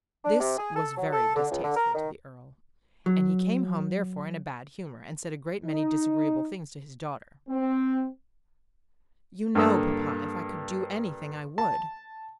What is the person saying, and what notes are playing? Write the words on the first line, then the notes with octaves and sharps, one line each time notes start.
This was very distasteful to the Earl, and he came home therefore in a bad humour, and said a great many disagreeable things to his daughter. "You know, papa, if I could do anything I would."
D4
C3
G#4
A4
F#3
A4
D3
C#2
D3
A#4
D#3
F#3
D#4
C4
G2 A#3 A4 D#6 E6
A5